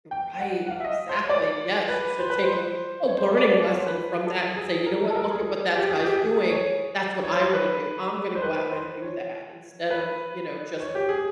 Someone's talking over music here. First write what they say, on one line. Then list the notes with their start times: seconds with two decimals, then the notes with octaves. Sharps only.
Right, exactly, yes. You should take a a learning lesson from that and say, "You know what? Look at what thats guy's doing. That's what I wanna do. I'm gonna go out and do that," instead of, you know, just
0.11 G5
0.40 F#5
0.67 F#5
0.70 F5
0.80 E5
0.84 D#5
1.09 C5
1.19 C#5
1.29 D5
1.89 B4
2.19 C5
2.30 B4
2.43 C5
3.07 C#5
3.18 C5
3.28 C#5
3.37 D5
3.52 D5
3.67 C#5
3.77 C5
3.87 B4
4.27 A4
4.56 G#4
4.86 A#4
5.10 A4
5.15 A#4
5.30 G#4
5.74 G4
5.90 G#4
6.04 G4
6.16 G#4
6.34 G#4
6.49 C#5
7.23 C#5
7.33 C5
7.43 C#5
7.53 B4
8.35 C5
8.42 B4
8.71 C5
9.02 C#5
9.90 B4
10.80 C#5
10.95 G4
11.09 G#4